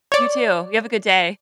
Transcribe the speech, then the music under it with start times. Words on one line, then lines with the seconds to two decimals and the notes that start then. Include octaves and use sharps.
You, too. You have a good day.
0.12 C#5 D5